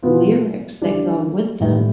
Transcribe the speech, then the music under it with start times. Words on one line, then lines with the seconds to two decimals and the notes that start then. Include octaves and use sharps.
lyrics that go with them,
0.03 B2 B3 F4
0.82 D3 G3 D4
1.60 A2 E3 G3